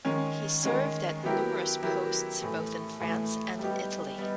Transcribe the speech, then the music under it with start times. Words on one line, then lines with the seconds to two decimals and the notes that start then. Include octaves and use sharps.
He served at numerous posts both in France and in Italy.
0.05 D#3 G#3 C#4
0.63 D#3 G#3 C#4
1.23 F#3 B3 E4 G4 A#4
1.82 F#3 B3 E4 G4 A#4
2.41 A2 E3 A3
3.00 A2 E3 A3
3.59 G3 B3 D#4 G4
4.18 G3 B3 D#4